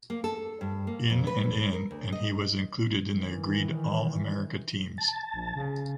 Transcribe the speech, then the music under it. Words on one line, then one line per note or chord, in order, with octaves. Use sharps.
In and in and he was included in the agreed All-America teams.
A#3
A4
G2
A#3
F2
B4
E2
A#4
D2
D#5
D#3 E3
A5
A#1
C#3